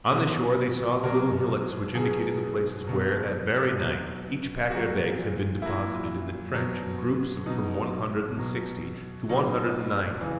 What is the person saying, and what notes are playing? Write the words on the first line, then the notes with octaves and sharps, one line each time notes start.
On the shore they saw the little hillocks which indicated the places where, that very night, each packet of eggs had been deposited in the trench in groups of from one hundred and sixty to one hundred and ninety.
B2 F#3
B2 F#3 A#4
B2 F#3 G#4
B2 F#3
B2 F#3
A#2 F#3 F#4
A#2 F#3 E4
B2 F#3
B2 F#3 D#4
B2 F#3
B2 F#3 D#4
C#3 E3